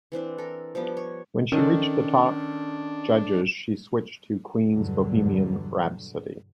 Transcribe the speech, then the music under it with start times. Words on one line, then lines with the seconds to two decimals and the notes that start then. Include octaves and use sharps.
When she reached the top judges she switched to Queen's "Bohemian Rhapsody".
0.12 E3 C4 D4 B4
0.38 A4 A#4
0.75 F3 G3 B3 D6
0.97 C#5
1.52 D#3 C#4 D4 A4
4.70 E2 G2 B2 D3 F#3 G3